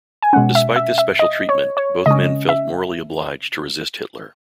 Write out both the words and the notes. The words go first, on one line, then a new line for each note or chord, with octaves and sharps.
Despite this special treatment, both men felt morally obliged to resist Hitler.
G#5
B2 G#3 C#4 F#5
E5
E5
E5
D#5
C#5
C#5
C#3 G#3 C#4 D#5
E5